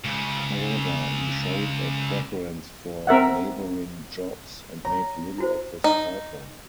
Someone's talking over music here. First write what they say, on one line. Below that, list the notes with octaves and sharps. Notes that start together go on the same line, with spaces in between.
However, he showed a preference for labouring jobs, and made little of his title.
C#2 C#3
C4 A#4 E5 F#5
C#5 A#5
E4 F#4 C5
D#4